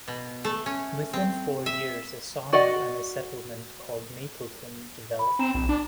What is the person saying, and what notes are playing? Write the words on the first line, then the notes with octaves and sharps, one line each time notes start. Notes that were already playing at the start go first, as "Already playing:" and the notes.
Within four years a sawmill and a settlement called Mapleton developed.
B2
A3
C#4
C4
E5
F#4 D5 D#5 F#5
B5
C4 A#5 E7
A#1
D4